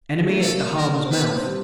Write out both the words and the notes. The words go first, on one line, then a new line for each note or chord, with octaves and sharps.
Enemy at the harbour's mouth.
G#3
A3
A#3 A4
A#4
C4
B3 B4
B3
C4
G3